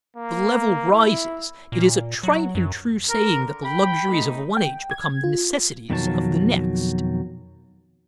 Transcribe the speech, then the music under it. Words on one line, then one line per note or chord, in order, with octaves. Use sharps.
The level rises; it is a trite and true saying that the luxuries of one age become the necessities of the next.
A#3
E4
A#2
F#3
F#2
D3 A#4
G5 B5
A3 D#4
G5
G#6
F4
F2 B2 D#3 F#3 E4 A5